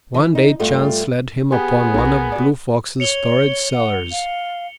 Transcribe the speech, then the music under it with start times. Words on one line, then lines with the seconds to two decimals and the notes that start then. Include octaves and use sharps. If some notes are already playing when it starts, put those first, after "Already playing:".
One day chance led him upon one of Blue Fox's storage cellars.
0.14 E3
0.35 D#4
0.59 G2 G3 A3 F4
1.52 B3 G4 G#4
1.94 B1 F#3 A#4
2.32 F#4 D5
3.00 C#5 C#7 F7 G7
3.74 F#5
4.12 F5